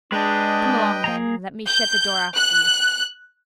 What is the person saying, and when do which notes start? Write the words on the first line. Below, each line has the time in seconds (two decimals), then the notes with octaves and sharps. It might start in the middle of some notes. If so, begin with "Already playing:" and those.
"Come along, then, and let me shut the door after you."
0.12 G#3 D4 B4 D#5 G5
1.04 A#3 G#4 A#5
1.67 G6
2.35 F#6